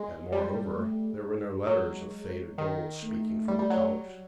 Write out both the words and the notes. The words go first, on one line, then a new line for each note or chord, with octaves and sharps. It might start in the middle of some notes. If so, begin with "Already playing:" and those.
And, moreover, there were no letters of faded gold speaking from the colors.
Already playing: G#3
G3 G#3
A3
G#3
F#3 G#3
D#3
A3
G3
G3
F#3